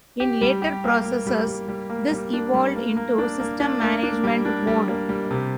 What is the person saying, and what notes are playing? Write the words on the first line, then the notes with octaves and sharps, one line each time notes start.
In later processors, this evolved into System Management Mode.
G4
G3
G4
A#3
A#3
G3
G3
G3
A#3
G3
D4
G3
A#3
A#3
D4
A#3
D4
A#3
D4
G3
D4
G3
A#3
G3
C3